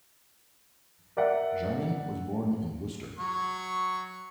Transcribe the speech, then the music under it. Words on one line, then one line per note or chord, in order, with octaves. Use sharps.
Jarman was born in Worcester.
A#4 D5 E5 F#5
F#3 C#6